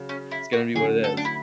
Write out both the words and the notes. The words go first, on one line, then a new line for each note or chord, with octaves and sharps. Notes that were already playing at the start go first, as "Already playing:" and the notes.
it's gonna be what it is,"
Already playing: C#3 F#3
C#4
E4
F#4
D3 F#3 A3 C#4 G#4
A4
D4
E4